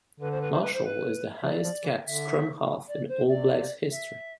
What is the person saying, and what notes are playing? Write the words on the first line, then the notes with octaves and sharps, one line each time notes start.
Marshall is the highest capped scrum half in All Blacks history.
D3 B4
C5
B4
C5
B4
C5
B4
E5
F3 D5
F3
E3
D3 E5
D5
C5
C3 D5
E5